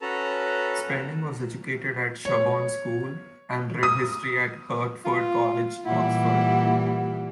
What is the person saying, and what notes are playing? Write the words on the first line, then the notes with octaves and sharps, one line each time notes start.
Spedding was educated at Sherborne School and read history at Hertford College, Oxford.
C#4 F#4 A4 B4 A5 A#5
C#5
D#6
F4
A#2 E3 G3 E4 F#5